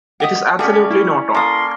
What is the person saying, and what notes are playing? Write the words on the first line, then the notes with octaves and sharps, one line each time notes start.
It is absolutely not on.
G4 D#5 E5 F#5 D#6
G3 C#4 F#4 G#4 A4 E5
E4
A#3 A4 C6 D#6